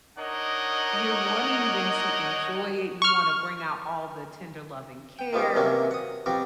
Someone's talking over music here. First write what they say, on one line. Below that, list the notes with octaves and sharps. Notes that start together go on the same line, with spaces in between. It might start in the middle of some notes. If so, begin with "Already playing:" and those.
You're wanting them to enjoy it, you want to bring out all the tender love and care.
D4 D#4 A#4 C#5 D#5 F#5
C#6 F6
G5
D#3 F3 G3 B3 C#4
C3 D#3 E3 F#3 A#3 C#4
F#5 D#6
F2 B2 G3 F#4 D6